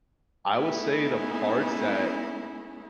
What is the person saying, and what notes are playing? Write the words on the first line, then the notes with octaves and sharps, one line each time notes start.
I would say the parts that,
A3 B3 C#4 D#4 E4 G#4